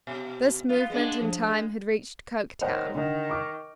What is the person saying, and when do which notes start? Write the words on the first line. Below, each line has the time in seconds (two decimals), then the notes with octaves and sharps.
This movement in time had reached Coketown.
0.07 B2
0.69 B3 F4
0.90 G#3 B3 D4
1.21 F3
1.46 G#3
2.61 D#3 C5 C#5 F#5
2.95 D3 D#3 F#5
3.30 C#6 D6 F6